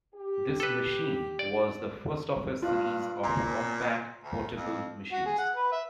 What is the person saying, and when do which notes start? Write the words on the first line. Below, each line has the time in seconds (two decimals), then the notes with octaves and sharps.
This machine was the first of a series of Compaq Portable machines.
0.14 G4
0.60 A4 B4
1.39 D5
2.62 G2 F4
3.23 A#2 A#5 C6
4.24 D2
4.57 F2
5.13 F#4
5.26 G#4
5.38 F#5
5.56 B4
5.72 E5